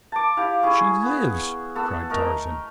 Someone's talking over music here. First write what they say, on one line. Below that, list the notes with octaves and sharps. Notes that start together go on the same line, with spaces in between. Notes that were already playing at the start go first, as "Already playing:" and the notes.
"She lives!" cried Tarzan.
A5 D6
E4 G4 F5
C#4 E4 G#4
B3
B3 A4 E6
A3 A#4 D#5 A#5